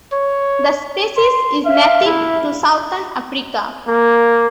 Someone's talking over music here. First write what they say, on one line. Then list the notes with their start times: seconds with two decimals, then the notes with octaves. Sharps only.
The species is native to southern Africa.
0.12 C#5
1.17 C6
1.65 E5 F5
2.06 E4
3.87 A#3